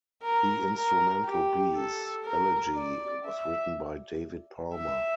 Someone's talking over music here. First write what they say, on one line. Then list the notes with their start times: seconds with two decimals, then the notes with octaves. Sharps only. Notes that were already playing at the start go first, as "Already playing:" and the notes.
The instrumental piece "Elegy" was written by David Palmer.
0.23 A#4
0.73 A#4
1.24 G4
1.75 A4
2.24 A#4
2.75 D5
3.25 E5
4.76 E5